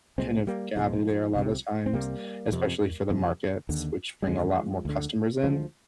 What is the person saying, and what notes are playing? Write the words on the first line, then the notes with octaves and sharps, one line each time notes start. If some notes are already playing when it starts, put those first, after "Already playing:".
kind of gather there a lot of times, especially for the markets, which bring a lot more customers in,
C2 A#2 G#3 C4
G3 A#3
C2 A#2 F3 G#3
C2 C3
C4
C2 C3 G3 A#3
F2 C3
F2 C3
D#2 D3
G3
D#2 D3 F3 G#3
D2 D3
D2 D3 F3 G#3